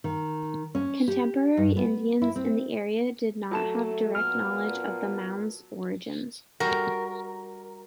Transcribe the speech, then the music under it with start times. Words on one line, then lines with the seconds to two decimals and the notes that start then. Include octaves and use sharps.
Contemporary Indians in the area did not have direct knowledge of the mounds' origins.
0.04 D#3
0.75 C#4
1.08 G4
1.57 G2
1.77 B3
2.22 E4
2.36 C4
3.51 F#3 A3 A5 E7
4.15 A#2 B3 F6
6.60 G3 F#4 A#4